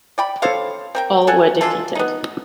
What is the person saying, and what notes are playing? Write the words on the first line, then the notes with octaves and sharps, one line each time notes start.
All were defeated.
D5 G5 B5
A4 C5 C#5 F5
C4 A#4 G5
A4 F#5 G#5
G#3 D4 F4 A4
B3 D#4